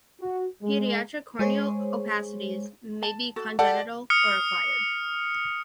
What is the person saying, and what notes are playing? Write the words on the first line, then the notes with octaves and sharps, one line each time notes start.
Pediatric corneal opacities may be congenital or acquired.
F#4
G#3
G#3 G#4 C5 C#5
A5
F#4 A4
G4 A4 D5 F#5 A5
D#6 F6 C#7